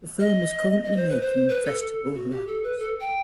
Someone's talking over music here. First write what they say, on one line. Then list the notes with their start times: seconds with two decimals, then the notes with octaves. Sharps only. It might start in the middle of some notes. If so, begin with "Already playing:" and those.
The film is currently making festival rounds.
0.20 D#5
0.84 D#5
0.96 C5
1.09 B4
1.21 C5
1.49 B4
1.66 A4
2.14 F#4
2.31 G4
2.47 A4
2.64 B4
2.79 A4
3.01 G5